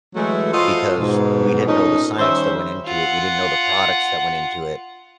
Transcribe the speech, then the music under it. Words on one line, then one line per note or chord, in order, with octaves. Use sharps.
because we didn't know the science that went into it, we didn't know the products that went into it
E3 F#3 G#3 A3
F4 F#4 A4 B4 C5 D#5
G#2 B2
A#2 A3 C#4 D#4
D#3 G3 C#4 C5 E5
F4 F#5